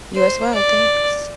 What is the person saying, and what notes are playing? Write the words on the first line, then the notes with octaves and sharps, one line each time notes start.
You as well, thanks.
C5
D5